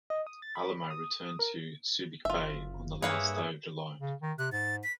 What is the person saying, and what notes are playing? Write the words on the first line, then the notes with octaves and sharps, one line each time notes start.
"Alamo" returned to Subic Bay on the last day of July.
D#5
D#6
A6
B5
D#6
A#4
F#1 F4 E5
G2 A#3 G#4 B4 C#5 E5 F5 B5
C#3
D#3
C3 F#6
G#2 A6
B6